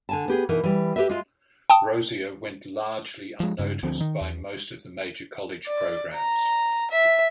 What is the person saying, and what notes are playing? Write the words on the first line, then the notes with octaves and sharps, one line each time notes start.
Rozier went largely unnoticed by most of the major college programs.
D3 G#5 A5
B3 G4 G#4
B2 E3 D#4 A#4
E3 G3
G4 G#4 B4 D#5 E5
G#3 F4
G5 A5 D#6
F3 G#3
G2 C#3
D2 D3 F3 C4
D#3
E2
D5
A#5
E5